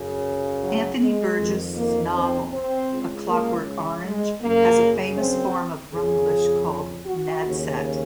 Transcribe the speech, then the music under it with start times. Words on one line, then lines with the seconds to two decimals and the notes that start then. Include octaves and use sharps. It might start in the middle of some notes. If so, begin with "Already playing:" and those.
Anthony Burgess' novel "A Clockwork Orange" has a famous form of Runglish called Nadsat.
Already playing: F#2 C#3
0.63 F#3
1.02 G#3
1.40 F2 D#3
1.77 A#3
2.15 C4
2.53 C4
2.91 C#2 C#3
3.28 A#3
4.03 G#3
4.42 F#2 C#3 A#3
5.17 C4
5.92 F2 C#3 G#4
7.05 F#4
7.43 D#2 C#3